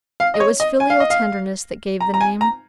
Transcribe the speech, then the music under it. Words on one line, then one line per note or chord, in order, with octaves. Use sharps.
It was filial tenderness that gave the name.
F5
D#5
C#5
D#5
G#5
F5
D#5
F5
A#5
A#5
G#5
A#5